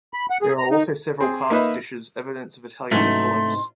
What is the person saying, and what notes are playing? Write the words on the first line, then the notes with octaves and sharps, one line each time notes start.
There are also several pasta dishes, evidence of Italian influence.
B5
F#5
G#4
A#5
D#4
C4 G#4
A#3 D#4 B4 E5
G#2 C3 E3 F#3 A3 C#4 D#4 C6